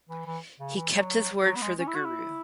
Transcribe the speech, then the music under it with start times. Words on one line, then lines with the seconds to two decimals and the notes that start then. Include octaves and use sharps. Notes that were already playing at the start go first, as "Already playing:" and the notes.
He kept his word for the guru.
0.09 E3
0.26 E3
0.60 C#3
0.76 E3
0.94 F#3
1.45 F#3
1.55 B3
1.62 G#3
1.79 C#4
1.88 E4
1.95 F#4
2.05 E4